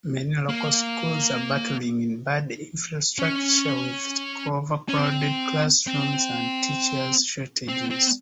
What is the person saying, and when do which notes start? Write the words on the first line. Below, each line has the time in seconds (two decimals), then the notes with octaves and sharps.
Many local schools are battling in bad infrastructure with overcrowded classrooms and teachers shortages.
0.49 A#3
3.19 C#4
4.88 C#4
4.98 C4
5.87 C4
7.68 C4
7.90 C4